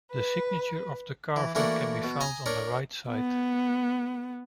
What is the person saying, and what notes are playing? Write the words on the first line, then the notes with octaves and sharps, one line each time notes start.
The signature of the carver can be found on the right side.
B4
E3
E3 A3 A#3 D4 F#4 A4
B2
D#5 G#5 A#5
D4 A#4 C#5
B3